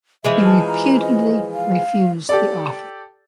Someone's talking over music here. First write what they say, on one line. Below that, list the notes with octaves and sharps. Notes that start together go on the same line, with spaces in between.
He reputedly refused the offer.
E3 F3 G#3 E5
A5
A#5
D#5
F5
G4 A4 D5